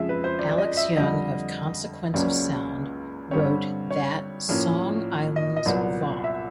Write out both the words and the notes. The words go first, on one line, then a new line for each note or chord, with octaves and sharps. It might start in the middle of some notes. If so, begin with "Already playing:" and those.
Alex Young of "Consequence of Sound" wrote that ""Song Islands Vol.
Already playing: F2 C#3 F3 G#3 E5
B4
C5
D5
D5
D#5
E5
F2 D3 G3 D#5
C#2 C#3 F#3 A#3 C#4 D5
G2 D3 G3 C4 C#5
C#5
A2 F3 A#3 C#4
D#5
D#5
C2 A#2 F#3 B3 D5
E5